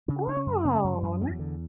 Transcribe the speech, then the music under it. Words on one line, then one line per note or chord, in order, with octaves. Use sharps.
Oh, nice.
C#3 D4
C#3 D4
C#4
F#2
C#3 B3
F#2
G3
F#2
E2 F#3
D3